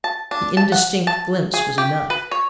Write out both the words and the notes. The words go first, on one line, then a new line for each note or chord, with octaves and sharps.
The indistinct glimpse was enough.
A5
D4
A5
F#5
A5
G#4
G4
B4
C#5